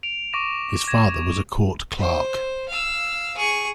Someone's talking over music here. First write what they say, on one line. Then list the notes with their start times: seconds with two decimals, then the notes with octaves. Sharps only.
His father was a court clerk.
0.03 D7 F7
0.33 C#6 D6 A#6 D7 E7
0.88 G#6 A#6 E7
1.97 C5
2.68 F5 E6
3.37 G#4 C#6